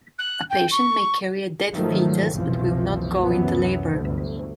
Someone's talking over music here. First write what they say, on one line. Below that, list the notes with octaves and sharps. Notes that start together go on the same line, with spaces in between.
A patient may carry a dead fetus but will not go into labor.
F#6
G5
C#6
G#2 D#3 F3 F#3 A3
F#1 C2 B2 E3 F3
C#2 F#2 C3 E3 F#3 B3
G1 D2